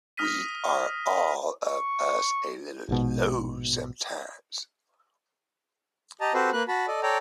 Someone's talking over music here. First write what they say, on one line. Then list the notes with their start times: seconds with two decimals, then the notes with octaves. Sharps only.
We are all of us a little low sometimes.
0.17 D#6 F6 A#6 B6 D#7
1.67 C#6
2.89 A#1 G#2 B2
6.21 G4 D#5 A5 A#5
6.34 C4 F#4 G4 A4 B4 C5
6.53 A#3 B4 F#6
6.68 F#4 A5 B5
6.88 A4 D5 D#5
7.03 A4 C#5 D5 G5 A#5